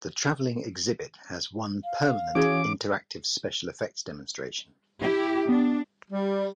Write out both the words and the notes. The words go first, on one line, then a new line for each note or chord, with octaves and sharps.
The traveling exhibit has one 'permanent' interactive special effects demonstration.
F5
E3 C#4 F#4 G#4 C#5 D6
E4 G4
B3 D4
G3